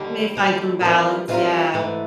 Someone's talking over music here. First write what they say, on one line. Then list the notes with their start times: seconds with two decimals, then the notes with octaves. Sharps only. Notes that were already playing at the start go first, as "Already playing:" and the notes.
We may find some balance, yeah.
Already playing: D#2 D3 G3
0.35 D#2 D3 G3
0.81 E3 G3 C4 F4 A#4
1.28 E3 G3 C4 F4 A#4
1.74 G#2 E3 A3